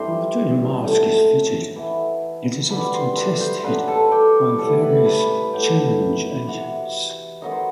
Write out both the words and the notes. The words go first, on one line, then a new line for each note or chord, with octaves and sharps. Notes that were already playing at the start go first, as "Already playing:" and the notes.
After a mask is fitted, it is often tested by various challenge agents.
Already playing: G2 E3 G3 C4 C5 C6
A2 F#3 A3 D#4
E3 B3 E4
B2 G3 B3 B4 B5
C5 C6
B4 B5
C5 C6
C6
G2 F#3 B3 B4 B5
A4 A5
G4 G5
A2 G3 B3 A4 A5
B4 B5
B4 B5
B4 B5
A2 F#3 B3 E4 G4 G5
C3 E3 B3 F#4 F#5
D#3 F#3 B3 D#5
C5